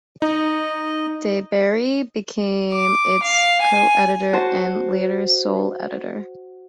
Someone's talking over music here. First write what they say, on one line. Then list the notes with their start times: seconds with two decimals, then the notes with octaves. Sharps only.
De Bary became its coeditor and later sole editor.
0.22 D#4 D#5
2.73 D6
3.23 F5
3.62 G#5
4.33 F#4 C5 A5